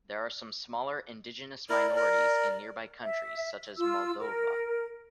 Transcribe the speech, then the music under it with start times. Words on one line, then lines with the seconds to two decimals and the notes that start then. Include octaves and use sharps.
There are some smaller indigenous minorities in nearby countries such as Moldova.
1.70 E4 A#4 D5
1.96 A#4
3.03 E5
3.78 F4 E6
4.20 A#4